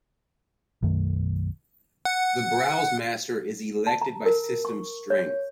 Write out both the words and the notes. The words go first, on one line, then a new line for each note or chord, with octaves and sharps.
The browse-master is elected by system strength.
B1 F#2 D#3 A3
F#5
A5
A#5
A#4
C#6
C#5